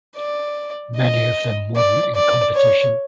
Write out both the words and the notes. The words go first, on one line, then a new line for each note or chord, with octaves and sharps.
Many of them won in competition.
D5
D#5
D5
D5
C#5